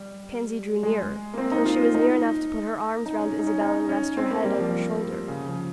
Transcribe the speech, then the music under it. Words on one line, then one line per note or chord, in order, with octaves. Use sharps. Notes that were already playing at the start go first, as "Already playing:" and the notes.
Pansy drew nearer, till she was near enough to put her arms round Isabel and rest her head on her shoulder.
Already playing: G3
G#3
A#3
C4
D#4
F4
D#4
D#4
C#4
D#4
C#4
D#4
C#4
C4
A#3
G3
F3
C#3
F3